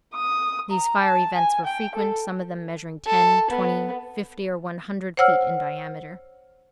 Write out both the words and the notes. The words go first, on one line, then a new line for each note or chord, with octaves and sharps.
These fiery vents were frequent, some of them measuring ten, twenty, fifty or one hundred feet in diameter.
D#6
A#5
A5
G#5
G5
A4
A4
B3
C5 C#5 F#5 E6 F6